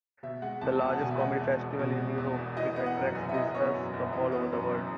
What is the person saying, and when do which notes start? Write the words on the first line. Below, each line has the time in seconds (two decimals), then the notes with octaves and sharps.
The largest comedy festival in Europe, it attracts visitors from all over the world.
0.23 B2 E5
0.42 G#3 F#5
0.61 E2 A5
0.81 E1 A5
0.93 F#5
1.00 B2 G#5
1.11 E5
1.20 G#3 F#5
1.40 E2 E5
1.59 E1
1.79 B2
1.98 G#3
2.18 E2
2.37 E1
2.57 E3 D#5
2.76 B3
2.86 F#5
2.96 F#2
3.15 F#1 G#5
3.29 E5
3.34 E3 D#5
3.54 B3 C#5
3.74 F#2
3.93 F#1
4.13 E3
4.32 B3
4.52 F#2
4.72 F#1